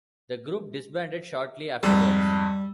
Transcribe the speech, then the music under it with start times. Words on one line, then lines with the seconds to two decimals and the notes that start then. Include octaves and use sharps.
The group disbanded shortly afterwards.
1.83 F2 G#2 G3 E6